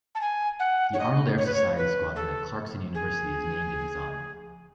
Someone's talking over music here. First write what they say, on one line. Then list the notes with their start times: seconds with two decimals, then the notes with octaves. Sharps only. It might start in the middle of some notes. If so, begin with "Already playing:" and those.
The Arnold Air Society Squadron at Clarkson University is named in his honor.
0.15 A5
0.21 G#5
0.59 F#5
0.93 C#5
0.99 D#5
1.38 C#5
1.46 B4
1.54 C#5
1.77 B4
2.16 A4
2.94 G#4